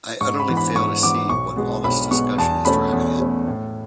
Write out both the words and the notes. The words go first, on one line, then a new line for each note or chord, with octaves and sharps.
I utterly fail to see what all this discussion is driving at.
G#2 C#6
B5
E3 B3
B5
G#2 C#6
E3 B3 D6
B1 C#6
B2 G#3 B3
B1 B5
B2 G#3 B3 C#6
E2 A5
B2 A3 C#4 B5
E2
B2 A3 C#4
A2